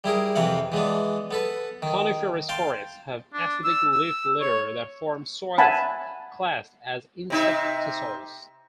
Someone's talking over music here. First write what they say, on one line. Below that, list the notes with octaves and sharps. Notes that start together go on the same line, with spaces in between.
Coniferous forests have acidic leaf litter that form soils classed as inceptisols.
G3 E4 G#4 A#4
F2 C3 E3 F5 F#5
E3 G#3 B3 D4
B3 A4 B4
D#3
F5 G5 A5 C6
D4
E6
E6
C#5
E5 F#5 G#5 A5 B5
C3 D#4 E5